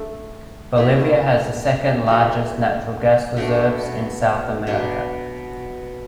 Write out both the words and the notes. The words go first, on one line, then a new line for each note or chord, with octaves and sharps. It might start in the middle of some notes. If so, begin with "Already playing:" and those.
Bolivia has the second largest natural gas reserves in South America.
Already playing: A3 D4 A4
B2 A3 E4
E3 A3 F#4
B2 A3 D4
B2 F#3 D4